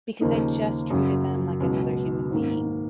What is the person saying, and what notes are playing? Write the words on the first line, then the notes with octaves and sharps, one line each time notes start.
because I just treated them like another human being,
D#2 C#3 F3 A#3 D#4
F#2 C#3 F#3
C#2 B2 F#3
G#2 D#3 A#3